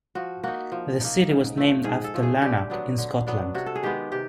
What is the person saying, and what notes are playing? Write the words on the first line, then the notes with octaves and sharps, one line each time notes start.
The city was named after Lanark, in Scotland.
F3 F#4
A#3 D#4 F#4
F3
A#3 D#4
G#2
F3 A3
G#2 G#4
A4
F3 A3
G#4
D3 G4
F#3 B3 D4
D3
F#3 B3 D4
C3 F#4
A4
G#4
D#3 G#3 B3 G4
C3 G4